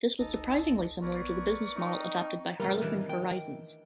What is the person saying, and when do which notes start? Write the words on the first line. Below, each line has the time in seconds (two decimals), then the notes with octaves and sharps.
This was surprisingly similar to the business model adopted by Harlequin Horizons.
0.19 G1 C#2 D#4 A4 D#5 A#5
1.02 A#1 B3 A#4 B4 D5 C#6 G#6
1.77 C4 D#4 D#5 G5
2.60 G#2 C3 F3 G3 A3 F4 A#4
2.81 D#3 E3 D4
3.09 G5